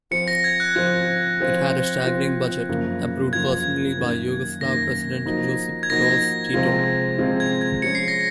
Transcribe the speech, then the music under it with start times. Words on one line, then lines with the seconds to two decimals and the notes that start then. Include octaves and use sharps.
It had a staggering budget approved personally by Yugoslav president Josip Broz Tito.
0.11 F3 C4 F4 C#7
0.28 A#6
0.44 G#6
0.60 F#6
0.75 F3 C4 F4 F#6
1.40 F3 C4 F4
2.05 F3 C4 F4
2.69 F#2 C#3 F3 A#3 F4
3.33 F#2 C#3 F3 A#3 F4 G#6
3.97 F#2 D#3 A#3
4.61 F#2 D#3 A#3 A#6
5.25 F3 A#3 D#4 F#4
5.83 G#6
5.90 F3 A#3 D#4 F#4 A#6
6.54 C3 F3 G#3 C4 F4
7.18 C3 F3 G#3 C4 F4
7.40 G#6
7.61 G#6
7.82 F3 G#3 C#4 C#7
7.95 C7
8.08 A#6